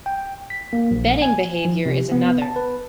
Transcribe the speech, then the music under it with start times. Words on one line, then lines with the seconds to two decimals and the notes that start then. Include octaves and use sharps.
Betting behavior is another.
0.06 G5
0.50 B6
0.73 A#3
0.91 A#1
1.22 G#5
1.65 F3
1.86 C3
2.11 B3
2.42 A5
2.56 B4